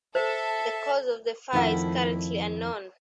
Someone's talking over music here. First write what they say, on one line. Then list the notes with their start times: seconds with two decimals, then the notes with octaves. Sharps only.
The cause of the fire is currently unknown.
0.15 A4 C5 E5 A5
1.53 F2 D#3 F3 A3 E4 F#5